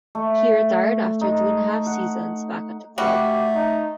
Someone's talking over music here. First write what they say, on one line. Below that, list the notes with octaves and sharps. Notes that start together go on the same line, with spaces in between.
He retired after two and a half seasons back at the club.
A3
D#4
F#5
G3 A3 F#4 G4
D#4